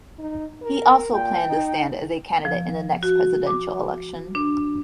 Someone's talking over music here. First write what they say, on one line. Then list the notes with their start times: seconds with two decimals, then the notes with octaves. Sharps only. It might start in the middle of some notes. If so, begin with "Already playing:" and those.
He also planned to stand as a candidate in the next presidential election.
0.19 D#4
0.62 A#4
1.13 A#2 G5
1.46 D#4
2.45 F3
3.03 F#4
3.47 D6
4.35 D4